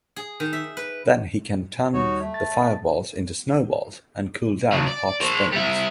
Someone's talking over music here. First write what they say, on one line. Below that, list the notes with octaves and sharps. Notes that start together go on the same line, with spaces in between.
Then he can turn the fireballs into snowballs and cool down hot springs.
G#4
D#3
E5
B4
D#2 G3 D#4 F#4 C#5
A3
A5 A6
C#3 F#3
D5
A#4 C5
G3 E4